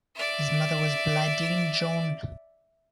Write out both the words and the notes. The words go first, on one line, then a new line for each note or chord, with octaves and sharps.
His mother was Bladine John.
D5 E5